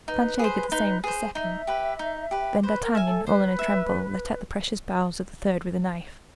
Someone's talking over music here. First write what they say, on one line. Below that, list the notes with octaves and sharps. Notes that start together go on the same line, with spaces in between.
Planchet did the same with the second; then D'Artagnan, all in a tremble, let out the precious bowels of the third with a knife.
D#4 B4
G#4 C5
D#4
G#4 C5
D#4 E5
G4 B4
D#4
G4 B4
B4 C5
A#4
E5 G#5
A4
B4 C5
E5